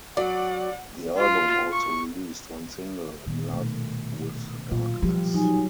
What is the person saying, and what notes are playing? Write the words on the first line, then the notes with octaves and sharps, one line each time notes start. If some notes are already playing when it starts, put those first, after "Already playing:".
The album also released one single, "In Love with the Darkness".
F#3 D5 F#5
F4
C#6
A#2 D#3 G3 B3
B2 A3
A#2 F#3 F4
F3 G3 G4
F#3 D#4 G#5